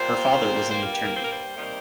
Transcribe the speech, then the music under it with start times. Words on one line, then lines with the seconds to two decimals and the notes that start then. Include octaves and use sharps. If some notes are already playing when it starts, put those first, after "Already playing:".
Her father was an attorney.
Already playing: A#2 G3 A#3 C5
0.71 G2 G3 A#3 C5
0.82 F4
0.93 G4
1.03 A#4
1.14 C5
1.23 A#4
1.31 C5
1.56 C3 D#3 G3 A#3